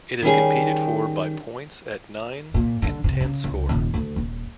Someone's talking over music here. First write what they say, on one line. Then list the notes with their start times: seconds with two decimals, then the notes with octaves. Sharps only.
It is competed for "by points at nine and ten score".
0.22 D#3 G3 C#4 G#4
2.54 A#2
2.82 D3
3.04 C3
3.21 C#3
3.44 C#2
3.69 D#1
3.94 D2
4.16 D#1